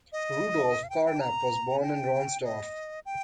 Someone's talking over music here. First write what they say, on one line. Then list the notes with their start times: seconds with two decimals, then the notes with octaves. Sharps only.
Rudolf Carnap was born in Ronsdorf.
0.12 D#5
0.83 F5
0.90 G5
1.06 G5
1.21 A#5
1.82 G5
2.44 D#5
3.06 G5